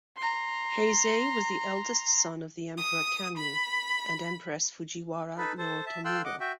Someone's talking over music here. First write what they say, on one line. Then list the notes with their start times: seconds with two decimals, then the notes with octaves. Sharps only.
Heizei was the eldest son of the Emperor Kanmu and empress Fujiwara no Otomuro.
0.17 A#5 C6
2.77 D#6
3.36 B5
5.38 D#4 A4 B4 B5
5.58 A4 C5
5.86 E5 A5
6.05 A4 F5 G5 C6 E6 F#6
6.25 D#5 F#5 D6
6.40 F#4 E5 G5